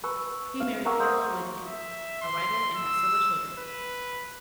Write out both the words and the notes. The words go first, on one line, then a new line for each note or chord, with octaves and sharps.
He married Pamela Wyndham, a writer, and had several children.
B4 C#6 E6
F5
A#3 F#5 C#6 E6
C5 D#5
E5
C6
E6
B4